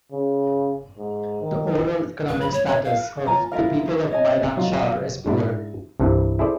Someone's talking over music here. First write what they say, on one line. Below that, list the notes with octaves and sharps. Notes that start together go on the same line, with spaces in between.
The overall economical status of the people of Maidan Shar is poor.
C#3
G#2
D#3
B4
B5
C#5
C#5
F5
F4 C#5 G#5 A#5
E4 F4 A#4 F5
C#5 D#5 G#5
F#3 D#4 F4
G#2 D4 E4
C2 G2 C3 E3
E4 G#4 A4 C5 D5